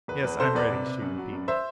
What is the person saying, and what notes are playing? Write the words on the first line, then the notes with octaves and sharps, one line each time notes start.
"Yes, I'm ready," she repeated.
E2 B4
E2 B4
C3 A4 C5
E2 B4 D5
C3
C3
F#2
F#3
F#2
C5 E5